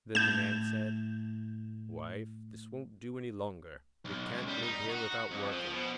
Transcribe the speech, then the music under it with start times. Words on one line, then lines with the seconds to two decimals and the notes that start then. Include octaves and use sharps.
Then the Man said: 'Wife, this won't do any longer; we can't live here without working.
0.15 A2 G6 E7
4.05 B1
4.33 C#2
4.48 G3
4.63 D#4
4.89 F#4
5.31 F2
5.51 F3
5.71 B2